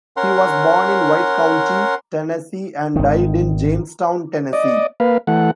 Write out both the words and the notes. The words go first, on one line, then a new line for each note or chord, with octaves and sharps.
He was born in White County, Tennessee and died in Jamestown, Tennessee.
C#4 A#4 F#5 C6
G#1 D#3
D5 D#5
A#3 B4 F5
E3 A3 F#5